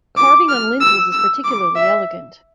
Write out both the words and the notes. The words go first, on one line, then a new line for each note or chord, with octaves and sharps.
Carving on lintels is particularly elegant.
D6
F6
E6
E6
D6
E5